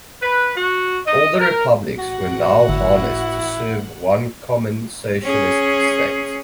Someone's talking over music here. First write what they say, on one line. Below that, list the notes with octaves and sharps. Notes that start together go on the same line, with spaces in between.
All the Republics were now harnessed to serve one common socialist state.
B4
F#4
D#5
A#4
A1 F#4 F#5
G1 E4
C#4 G#4